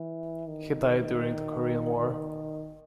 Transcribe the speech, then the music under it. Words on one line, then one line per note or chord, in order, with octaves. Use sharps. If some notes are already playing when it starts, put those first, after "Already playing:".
He died during the Korean War.
Already playing: E3
D#3
D#3